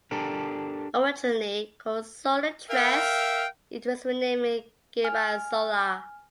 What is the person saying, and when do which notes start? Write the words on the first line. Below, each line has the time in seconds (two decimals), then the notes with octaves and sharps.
Originally called Solar Tres, it was renamed Gemasolar.
0.11 D4 G4 A4 A#4
2.69 A#4 E5 F5 G5
5.04 G#5 F6